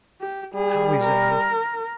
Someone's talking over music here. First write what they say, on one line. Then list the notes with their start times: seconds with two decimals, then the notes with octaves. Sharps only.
"How is Amy?"
0.21 G4
0.55 G3 G#4
1.04 A#4